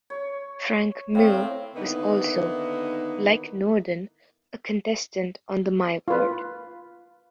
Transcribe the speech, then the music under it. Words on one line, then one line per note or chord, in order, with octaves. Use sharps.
Frank Muir was also, like Norden, a contestant on the My Word!
C#5
A2 C4 C#5 F5 G5
D3 D#3 A#3 B3 D#4 E4
F4 B4